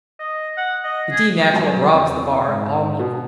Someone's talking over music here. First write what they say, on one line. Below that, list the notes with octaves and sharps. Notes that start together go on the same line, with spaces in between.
The D natural robs the bar of all meaning.
D#5
F#5
D#5
G#4
G2 F#3 G#5
E2 C4
G#2
B2